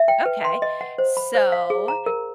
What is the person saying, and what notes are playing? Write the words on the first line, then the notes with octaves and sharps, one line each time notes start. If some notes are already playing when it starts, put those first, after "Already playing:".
Okay. So,
Already playing: E5
G5
B4
C6
D#5
F#5
C5
B5
C5
F5
G#4
A#5
A#4